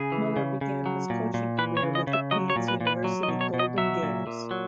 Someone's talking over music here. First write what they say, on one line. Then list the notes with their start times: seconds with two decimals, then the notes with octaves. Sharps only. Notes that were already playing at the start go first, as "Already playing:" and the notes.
Muller began his coaching career with the Queen's University Golden Gaels.
Already playing: C#3 G#4
0.12 E3
0.37 C#3
0.61 C#3
0.86 F#3
1.10 A#2
1.34 A#2
1.58 E3 B4
1.77 C#5
1.83 C#3
1.95 D#5
2.07 C#3
2.13 E5
2.31 F#3 D#5
2.50 C#5
2.56 A#2
2.68 B4
2.81 A#2
2.87 B4
3.04 F#3
3.23 D#5
3.29 B2
3.41 C#5
3.54 B2
3.59 D#5
3.78 F#3 E5
4.03 A#2
4.27 A#2
4.51 F#3